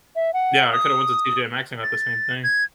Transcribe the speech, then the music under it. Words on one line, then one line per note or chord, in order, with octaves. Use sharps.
Yeah. I coulda went to TJ Maxx and got the same thing.
E5
F#5
D#6
A6
G#6